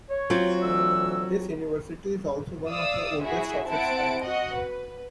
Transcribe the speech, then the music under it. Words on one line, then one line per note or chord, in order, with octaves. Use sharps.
This university is also one of the oldest of its kind.
C#5
F#3 C4 F4
D2 E3 E6
D5 F5 D#6 E6
E4 F#4 G#4 E5
C4 E4 F#5 A5 D7
F#4 D#5 F#5
B4